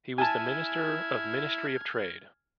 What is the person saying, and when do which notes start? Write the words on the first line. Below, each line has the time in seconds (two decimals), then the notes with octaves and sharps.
He was Minister of Ministry of Trade.
0.18 E4 G#5 A5 F6 G#6